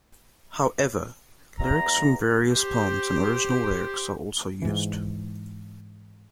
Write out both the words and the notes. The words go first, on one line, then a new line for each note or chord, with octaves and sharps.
However, lyrics from various poems and original lyrics are also used.
E2 A#5
G4 C5
G#2 E3